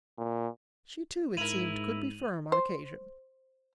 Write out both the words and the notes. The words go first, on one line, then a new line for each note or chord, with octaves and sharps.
She, too, it seemed, could be firm, on occasion.
A#2
G#2 E4 A#4 D#7 F7 F#7
C5